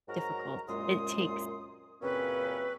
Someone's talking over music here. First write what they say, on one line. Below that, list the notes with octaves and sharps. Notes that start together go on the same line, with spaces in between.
difficult, it takes
G#2 F#3 F#4 A#4 A#5
C2 F#2 A#2 G#3 C6 D#6
F#2 A#2 C#3 C4 C#4 B4